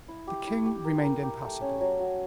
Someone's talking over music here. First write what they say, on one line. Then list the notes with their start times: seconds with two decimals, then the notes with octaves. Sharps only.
The king remained impassible.
0.08 E4
0.27 G4
0.47 E4
0.66 G4
0.85 A#4
1.03 A#4
1.23 G4
1.42 A3
1.61 C#4
1.81 F#3
1.99 F#4